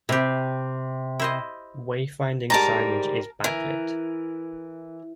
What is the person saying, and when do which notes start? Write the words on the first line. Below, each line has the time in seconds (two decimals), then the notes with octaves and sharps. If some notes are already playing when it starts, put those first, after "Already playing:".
Wayfinding signage is backlit.
0.09 C3 E4 G4
1.20 E4 C5 D#5
2.50 G#2 G3 A#4 A5 A#5
3.44 E3 A#4